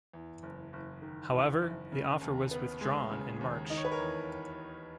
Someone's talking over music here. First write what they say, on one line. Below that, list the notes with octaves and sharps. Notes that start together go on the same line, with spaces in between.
However, the offer was withdrawn in March.
E2
F#1
F#1
D#3
E2
F#1
C#3
D#2
B3
G#3
C#3
D#2
D#3 D#5
C#5
B4
A#4 C#5
E2